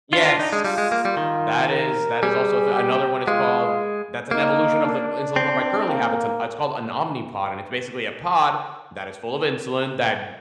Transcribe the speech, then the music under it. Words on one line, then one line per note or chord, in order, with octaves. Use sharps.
Yes. That is, that is also th another one, it's called, that's an evolution of the insulin pump I currently have. It's an it's called an Omnipod and it's basically a pod that is full of insulin that
D4 F4
F4
D#4
G#3
G3 F4
G#3
A#3
G3
D#3
A#4
G3 G#4
G4
G#3 F4
A#3 D#4
D4
C4
A#3